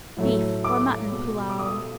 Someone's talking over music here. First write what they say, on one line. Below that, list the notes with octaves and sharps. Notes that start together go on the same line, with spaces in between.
Beef or Mutton Pullao.
A2 F#3 A3
D6
B2 G#3
D6
D#6